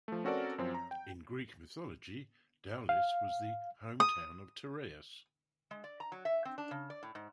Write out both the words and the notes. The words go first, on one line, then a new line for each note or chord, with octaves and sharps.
In Greek mythology, Daulis was the hometown of Tereus.
F3 A3
C4 C#4 F#4 A4 A#4 D5
F#2 F3 C4
A#5
G5
F5
D#6
G#3
D5
A#5
F#3
E5
C4
D4
C#3
D5
A2
G#2